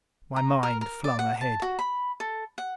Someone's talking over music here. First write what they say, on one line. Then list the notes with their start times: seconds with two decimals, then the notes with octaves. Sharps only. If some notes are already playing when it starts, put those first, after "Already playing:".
My mind flung ahead.
0.36 A#5
0.63 A#4
0.81 A#4
1.04 D5
1.19 F#5
1.41 A5
1.62 F#4
1.79 B5
2.20 A4
2.58 F#5